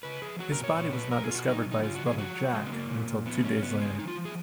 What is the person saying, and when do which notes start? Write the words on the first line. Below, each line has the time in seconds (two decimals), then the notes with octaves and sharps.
His body was not discovered by his brother, Jack, until two days later.
0.03 C#3 B4
0.22 F3 G#4
0.39 F#3 F#4
0.52 B2 A#4
0.64 C#5
0.75 A#2 C#5
0.93 F#3 B4
1.11 B2 A#4
1.24 G#4
1.29 B2 F4
1.35 F#4
1.47 F#3 D#4
1.66 B2
1.71 D#4
1.83 C#3 F4
1.95 F#4
2.02 F3 G#4
2.18 F#3 F#4
2.37 F#3
2.54 C#3 G#3
2.67 B3
2.72 F#3 A#3
2.91 A#2
3.09 A#2
3.26 F3 B3
3.44 A#2 C#4
3.62 C#3 B3
3.80 C#3 G#3
3.99 F3 D#4
4.08 F4
4.15 F3
4.25 G#4